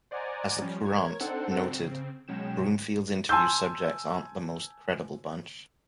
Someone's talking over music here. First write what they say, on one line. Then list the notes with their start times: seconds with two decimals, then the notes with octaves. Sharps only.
As "The Courant" noted: Broomfield's interview subjects aren't the most credible bunch.
0.11 C5 D5 D#5 F#5 G#5 A#5
0.62 F3 G3 C#4
0.85 A#4 C#5 G#6
1.21 C4 D4 D#4 A4 C5 F#5
1.65 C#3 C4
2.28 B2 F#3 G#3 C#4 G5 E7
3.29 G#5 A5 C6 E6 G6